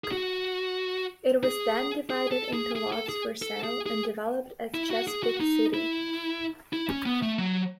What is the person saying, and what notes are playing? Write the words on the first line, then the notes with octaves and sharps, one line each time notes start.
It was then divided into lots for sale and developed as Chesapeake City.
G#4
F#4
G#4
G#4
A4
G#4
G#4
A4
G#4
A4
G#4
G#4
E4
F#4
G#4
F#4
D#4
E4
E4
C#4
B3
A3
F#3